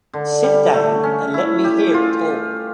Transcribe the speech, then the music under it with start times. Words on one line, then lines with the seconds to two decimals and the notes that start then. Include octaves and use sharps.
Sit down, and let me hear it all.
0.13 D3
0.43 G3
0.73 A3
1.03 C#4
1.34 E4
1.64 G4
1.94 F4